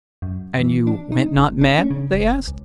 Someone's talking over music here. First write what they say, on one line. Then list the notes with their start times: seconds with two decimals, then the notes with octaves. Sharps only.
"And you went not mad?" they asked.
0.22 F#2
0.60 E3
0.87 D4
1.12 D#4
1.36 G1
1.61 D4
1.78 C#4
1.90 C#3
2.13 F1
2.48 C#2